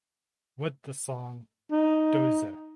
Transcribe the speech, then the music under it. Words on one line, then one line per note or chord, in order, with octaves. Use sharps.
With the song "Dozer".
D#4